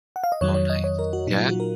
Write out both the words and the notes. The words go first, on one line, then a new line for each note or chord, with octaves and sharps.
Oh, nice. Yeah?
F#5
F5
D#5
F2 D#3 F#3 C#5
C#5
D#5
C#5
A#4
F#4
A#2 F#3 D#4
F4
F#4
A#4